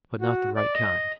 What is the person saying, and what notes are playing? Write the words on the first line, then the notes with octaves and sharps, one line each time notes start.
But not the right kind.
F#4
D5
D#5